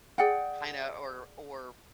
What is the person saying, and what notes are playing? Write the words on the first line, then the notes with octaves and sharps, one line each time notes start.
kinda or or
G#4 D5 F#5 G5